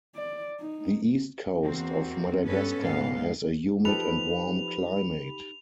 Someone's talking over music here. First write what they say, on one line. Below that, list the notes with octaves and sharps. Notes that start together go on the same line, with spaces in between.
The east coast of Madagascar has a humid and warm climate.
D5
D#4
E2 A#3 C4 F#4
G2 B3 C#4 A4 B4
G#2 B3 F5
F3 D#4 G4 A4 B4 B5 F7